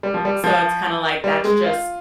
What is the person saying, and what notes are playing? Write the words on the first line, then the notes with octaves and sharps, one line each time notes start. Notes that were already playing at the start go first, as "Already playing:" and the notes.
so it's kinda like that's just
G3
F3
G3
F3
G3
G#3
F4